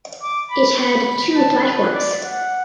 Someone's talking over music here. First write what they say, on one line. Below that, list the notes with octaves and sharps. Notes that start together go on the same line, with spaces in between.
It had two platforms.
D6
B5
B5
A5
B4
D5
F#5